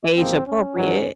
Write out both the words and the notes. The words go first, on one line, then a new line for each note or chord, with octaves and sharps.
age appropriate."
A1 G#2 F3 A#3 C4
C#4
G2 D#3 F#3